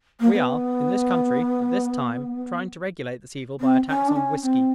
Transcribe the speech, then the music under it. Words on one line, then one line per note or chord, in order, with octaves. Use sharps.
We are in this country, at this time, trying to regulate this evil by a tax on whiskey.
A#3
B3
C4
C#4
D4
C#4
C4